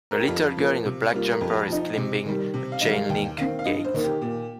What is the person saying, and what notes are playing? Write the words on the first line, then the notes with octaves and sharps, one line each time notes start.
A little girl in a black jumper is climbing a chain link gate.
A#4
G4
F2 F4
F3 A#3
C3
G3 A#3 F4
A#4
F2 G4
F3 D#4
C3
D#3 G3
C3
F5
D#3 G3 D#4
F5
D#2 G5
D#3 C4 F5
F5
G2 D#5
C5
D#3 A#3
G4
A#2